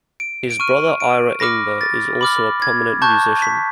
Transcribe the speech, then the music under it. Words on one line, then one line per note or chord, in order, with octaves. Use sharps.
His brother Ira Ingber is also a prominent musician.
D7
D7
C#6 F6 D#7
D7
B5 D6 F6 A#6
A6
B5 D6 F6
G#6
A5 C#6 F#6 G6
B6